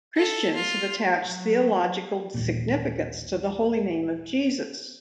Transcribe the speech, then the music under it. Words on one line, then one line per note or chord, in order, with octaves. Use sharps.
Christians have attached theological significance to the Holy Name of Jesus.
A4
F4
F#3
D#1 A1 A#2